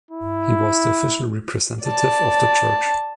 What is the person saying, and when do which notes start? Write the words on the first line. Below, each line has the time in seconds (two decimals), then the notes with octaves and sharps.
He was the official representative of the church.
0.11 E4
1.85 D5 A5